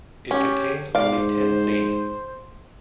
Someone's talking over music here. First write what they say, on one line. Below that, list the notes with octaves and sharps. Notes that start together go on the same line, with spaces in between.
It contains only ten scenes.
C#4 G4
G#2 C5 D5 F5